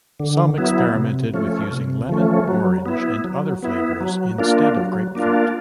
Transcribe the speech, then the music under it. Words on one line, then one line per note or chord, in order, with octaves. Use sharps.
Some experimented with using lemon, orange or other flavors instead of grapefruit.
D3
F#3 B3 E4
C3
F3 A3 C#4
C3
F3 A3 C#4
F#3
B3 E4
F#3
B3 E4
F#3
A#3 D4 F4
F#3
A#3 D4 F4